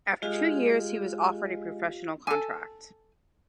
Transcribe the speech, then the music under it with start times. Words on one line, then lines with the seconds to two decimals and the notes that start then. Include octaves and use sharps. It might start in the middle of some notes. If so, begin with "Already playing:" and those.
After two years, he was offered a professional contract.
0.23 G#3 F4 G4 F5
2.27 A4 G#5